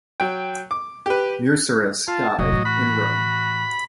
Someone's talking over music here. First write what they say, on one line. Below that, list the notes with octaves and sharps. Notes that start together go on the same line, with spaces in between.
Musurus died in Rome.
F#3 G5
D6
G4 B4
F4 A5
F1 F#3 D#5
A2 E3
F#4 B5